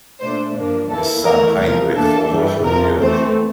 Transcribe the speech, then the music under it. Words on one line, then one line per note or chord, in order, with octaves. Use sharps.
His son Heinrich was also a theologian.
A#2 A3 D4 C5
G2 F3 A#3 D4
E2 E3 A#3 E4 A4
E2 E3 A3 E4 A#4
E2 C3 F3 A#4
E2 E3 A#3 D4 A4
G2 E3 G3
F2 C3 F3 A#4
E2 E3 A3 C4 C5